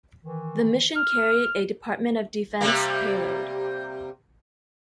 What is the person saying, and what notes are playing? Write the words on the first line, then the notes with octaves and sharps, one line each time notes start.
The mission carried a Department of Defense payload.
D#3 E3
F6
C3 G3 A#3